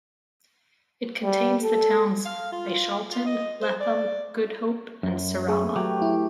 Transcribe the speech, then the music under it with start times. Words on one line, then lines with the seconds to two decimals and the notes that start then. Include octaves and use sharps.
It contains the towns Aishalton, Lethem, Good Hope and Surama.
1.23 G3
1.63 A4
2.25 F5
2.51 F4
3.10 F4
3.25 D#5
3.60 C5
3.81 D5
5.03 F#2
5.48 A3 G#4 B4
5.76 F#3 G4
6.02 E4